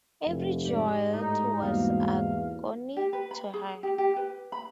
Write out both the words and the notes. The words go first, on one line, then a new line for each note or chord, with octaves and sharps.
Every jolt was agony to her.
F1
G#2 G4 D5
A2 D#4
E2 G3 A#3 F#4 F5
G4
B4
B5
G#4
G4
G4
B4
B5